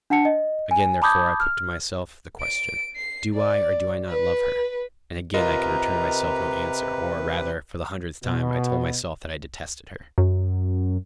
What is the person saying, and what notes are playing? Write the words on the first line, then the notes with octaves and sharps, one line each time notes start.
Again, therefore, I put to myself the question: "Do I, or do I not love her?" and again I could return myself no answer or, rather, for the hundredth time I told myself that I detested her.
D4 F#5 A5 C#7
D#5
G#5
A5 B5 D6 D#6 G6 G#6
F6
D7
C7
D5
B4
C3 F4 A#4 B4 D#5 A#5
B2
F#2